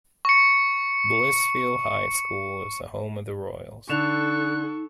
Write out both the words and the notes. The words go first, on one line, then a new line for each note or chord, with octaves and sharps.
Blissfield High School is the home of the Royals.
C#6 C#7
D3 D#4 A4 C#6 F#6 E7 F7